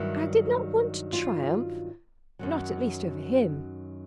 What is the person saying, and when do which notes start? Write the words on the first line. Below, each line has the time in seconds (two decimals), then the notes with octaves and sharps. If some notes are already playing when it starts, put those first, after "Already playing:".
"I did not want to triumph;--not at least over him."
Already playing: G2 D#3 F#3 E4
1.13 F4
2.39 F#2 D#3 F#3